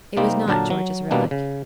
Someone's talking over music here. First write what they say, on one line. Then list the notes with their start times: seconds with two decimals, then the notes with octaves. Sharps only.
It was not George's relic.
0.17 C3 G3 A#3 C4 D#4
0.48 A#2 D3 F#3 D4 A#4 A5
0.70 F#3
1.11 B2 G3 A#3 B3 D4
1.31 C#3